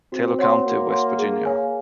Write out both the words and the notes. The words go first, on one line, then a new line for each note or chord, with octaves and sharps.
Taylor County, West Virginia.
C4 F#4
C#5 F#5 C6
A#3 F#4
C#5 F#5 C6
G#4
C#5 F5 G#5